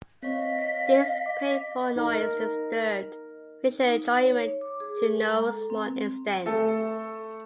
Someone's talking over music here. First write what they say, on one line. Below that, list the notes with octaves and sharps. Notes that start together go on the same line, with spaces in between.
This painful noise disturbed visual enjoyment to no small extent.
C4 C#5 D#5 F5 B6
D6
D#4 A#4
D#4
C#5
D6
G#4
A#4
G#3
A#5
A4
C4
A3 A4